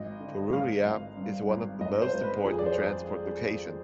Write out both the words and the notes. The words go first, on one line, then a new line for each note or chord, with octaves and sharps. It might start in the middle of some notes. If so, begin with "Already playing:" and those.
Purulia is one of the most important transport location.
Already playing: G#1 D#5
D3
G#1 F5
G#1
G2
G#1
G#1 D#5
C5
G#1
B4
F2 G#4
D5
C5